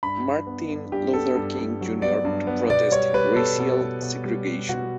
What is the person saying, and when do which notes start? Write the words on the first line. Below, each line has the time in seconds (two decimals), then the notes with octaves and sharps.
Martin Luther King Junior to protest racial segregation.
0.03 G2 B5
0.25 G2
0.47 B3
0.70 G2
0.92 G2 G4
1.13 B3 A4
1.36 G2
1.59 G2
1.81 F#3
2.02 B3 D5
2.25 G2
2.47 B3
2.70 B2 D5
2.91 G3 C#5
3.14 G3 B4
3.36 B2 A4
3.58 B2
3.81 B2
4.02 B2
4.25 G3
4.47 G3
4.69 B2 F#4